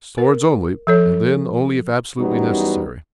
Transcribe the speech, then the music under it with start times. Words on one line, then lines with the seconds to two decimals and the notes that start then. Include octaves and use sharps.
"Swords only, and then only if absolutely necessary."
0.18 A#4
0.87 F3 A4 C#5
2.20 F#2 E3 F#3 G3 B3 D#4